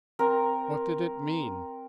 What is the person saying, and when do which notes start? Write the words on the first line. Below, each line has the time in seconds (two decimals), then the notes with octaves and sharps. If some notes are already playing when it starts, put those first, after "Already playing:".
What did it mean?
0.19 C4 A#4